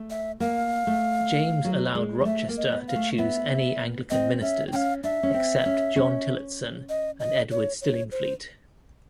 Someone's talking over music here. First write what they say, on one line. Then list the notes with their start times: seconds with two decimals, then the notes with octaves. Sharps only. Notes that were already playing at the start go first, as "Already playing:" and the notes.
James allowed Rochester to choose any Anglican ministers except John Tillotson and Edward Stillingfleet.
Already playing: A3
0.10 E5
0.40 A#3 F5
0.87 A3
1.64 F#3
1.95 G#3
2.21 G#3
2.25 A3 E5
2.48 A#3
2.57 D#5
2.72 B3
2.88 F5
2.96 A3
3.18 B3 E5
4.10 C4 D#5
4.41 C#4 E5
4.68 C4
4.72 C#4 F5 G5
5.04 D4 E5
5.23 C#4
5.34 C4
5.66 C#4
5.96 C#4
6.89 D#5
7.20 D#5
7.51 C#5
7.81 C#5
8.12 C5